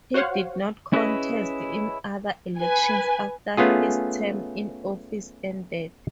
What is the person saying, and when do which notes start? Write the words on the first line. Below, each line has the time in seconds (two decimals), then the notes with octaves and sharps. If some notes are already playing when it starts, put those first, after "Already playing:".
He did not contest in other elections after his term in office ended.
0.14 F#4 C5 C#5 F5 F#5
0.93 C#4 E4 G#4 B4 C5 D#5
2.60 B4 G#5
3.57 A3 B3 C#4 F4 G#4